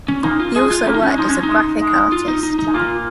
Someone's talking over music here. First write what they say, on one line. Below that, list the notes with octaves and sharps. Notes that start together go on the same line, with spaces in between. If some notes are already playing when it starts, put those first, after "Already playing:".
He also worked as a graphic artist.
C#4
A#2 A#3 D#4
F4
G#3 G#4
F4
A#2 A#3 C#4
D#4
C#4
G#3
F3 D#4
G#3 C#4
D#4
G#3
G#3
F4
D#4
D#4
D#4
G#3
A#2 A#3 F4